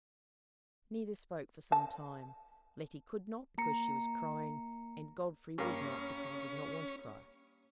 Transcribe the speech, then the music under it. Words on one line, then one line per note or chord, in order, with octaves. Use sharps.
Neither spoke for some time; Letty could not because she was crying, and Godfrey would not because he did not want to cry.
A5
A#3 A#5 C#7
G2 A#3 C#4